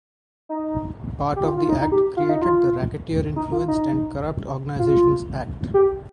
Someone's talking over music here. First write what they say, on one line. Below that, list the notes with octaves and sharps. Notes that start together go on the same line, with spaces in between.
Part of the Act created the Racketeer Influenced and Corrupt Organizations Act.
D#4
G4
F4
F4
D#4
D#4
G4
F4
D#4
F4
D#4
F4
D#4
F4
G4